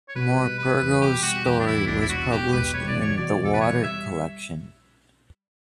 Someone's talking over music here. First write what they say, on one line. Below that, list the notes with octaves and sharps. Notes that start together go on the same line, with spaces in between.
Morpurgo's story was published in the "Water" collection.
C#5
B2 B4
G3
G3 B4
E2
B2 G4
G3 F#4
E2 G4
D4
E2 E4
E1 D4
E4
E1 F#4
B2 G4
E1 B4
G3 C#5
D5
E2
C#5
B2 D5
E2
A4
B4
G3 C#5
G3 E5